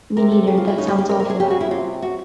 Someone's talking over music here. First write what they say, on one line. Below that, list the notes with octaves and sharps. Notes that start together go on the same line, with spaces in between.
Me neither, that sounds awful.
C3 A#4
A4
C#3 G4
F4
E4
C#3 D#4
G4
G4
C3 A#4
A#4
G#4
C#3 G4
F#4
E4
C3 F4
F#4